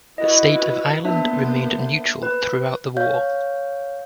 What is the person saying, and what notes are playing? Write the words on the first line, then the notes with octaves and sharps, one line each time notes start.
The state of Ireland remained neutral throughout the war.
E4 F#4 B4 D#5
A#3 B3 D4 C5 E5
B4
C#5 F5 G6